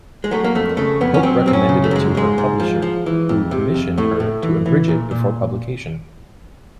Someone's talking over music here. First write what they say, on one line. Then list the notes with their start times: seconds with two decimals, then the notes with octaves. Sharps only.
Pope recommended it to her publisher, who commissioned her to abridge it before publication.
0.24 G#3
0.31 F#3 A3
0.44 A#3
0.55 F2 A3
0.77 C#3 A3
1.01 F2 B3
1.14 C#4
1.23 F#3 C4
1.46 F#2 C4
1.53 C#4
1.69 C#3
1.84 A3
1.91 F#2 G#3
2.15 G#2 G#3
2.38 G#2
2.60 F3
2.82 F3
3.06 E3
3.29 F2
3.51 C3
3.74 F2
3.98 A2 A3
4.20 A2
4.43 E3
4.66 E3
4.88 A#2
5.11 A#2